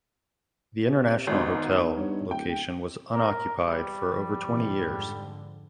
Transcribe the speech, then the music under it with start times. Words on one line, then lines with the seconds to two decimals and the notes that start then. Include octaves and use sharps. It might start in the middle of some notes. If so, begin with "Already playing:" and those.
The International Hotel location was unoccupied for over twenty years.
0.86 C3
1.27 G#1 G#2 B2 B3 D#4
1.97 G2 C#5
2.31 D1 G5
3.13 A#4
3.66 G3
4.08 F3
4.46 G#2 C3 E3
4.77 F2 G#2 D3